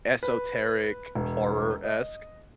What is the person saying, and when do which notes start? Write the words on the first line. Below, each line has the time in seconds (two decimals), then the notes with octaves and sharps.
esoteric, horror-esque
0.23 B4
1.15 E1
1.84 D#5